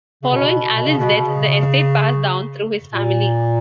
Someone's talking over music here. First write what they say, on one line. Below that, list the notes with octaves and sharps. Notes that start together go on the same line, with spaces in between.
Following Allen's death the estate passed down through his family.
C#3
B2
B2
C#3
B2
C#3
A#2